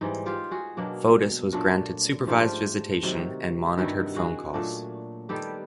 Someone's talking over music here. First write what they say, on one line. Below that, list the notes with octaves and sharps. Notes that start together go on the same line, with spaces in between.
Fotis was granted supervised visitation and monitored phone calls.
G#2 E3 G3 D#4
F4 G4
F#4 G#4
B2 F#3 A#3 D4
A#2 F#3 A3 D4
G#2 F3 A3 D4 F4 G4
C3 D#3 F#3
G2 D#3 G3 E4 F#4
F#4 G#4
A#2 F#3 A3 D4
D#3 G3 B3 G4 A4